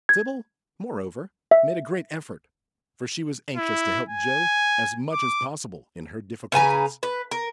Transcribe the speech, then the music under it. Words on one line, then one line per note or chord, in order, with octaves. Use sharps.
Sybil, moreover, made a great effort, for she was anxious to help Joe as much as possible in her difficulties.
G#6
E5
E4
G#5
D6
C#3 B4 G#5 A#5
B4
A#4